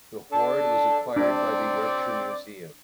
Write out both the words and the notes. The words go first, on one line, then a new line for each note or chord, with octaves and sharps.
The hoard was acquired by the Yorkshire Museum.
D4 A4
C4 D4 D5